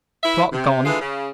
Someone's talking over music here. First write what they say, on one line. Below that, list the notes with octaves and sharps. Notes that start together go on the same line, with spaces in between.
Clock gone.
E4 B4 E5
C3
D3 E3 G#3 F4
C#3